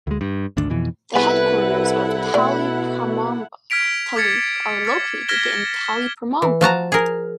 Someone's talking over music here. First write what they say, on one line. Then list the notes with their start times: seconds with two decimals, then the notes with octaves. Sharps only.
The headquarters of Taliparamba Taluk are located in Taliparamba.
0.07 D2 G#3
0.21 G2
0.57 G#1 D2 D4
0.70 F2 B2 E3
1.15 C2 B3 E4 G#4 A4 B4 F#5
2.34 B2 A3 D5
3.70 F6 G#6 B6 D7 F7
4.16 D6 F6 G#6 A6 C#7
4.85 D6 F6 A6
5.28 F6 G#6 A#6 B6 E7 G7
6.42 E3
6.61 F3 F#4 A5 A#5
6.92 G#4 A#4